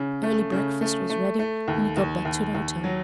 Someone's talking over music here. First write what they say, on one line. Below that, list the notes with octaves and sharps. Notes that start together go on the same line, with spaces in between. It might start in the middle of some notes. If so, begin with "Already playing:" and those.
Early breakfast was ready when he got back to the hotel.
Already playing: C#3
A3
C#3
A3
A3
A3
D#2
D#2
D#2
D#2
F#3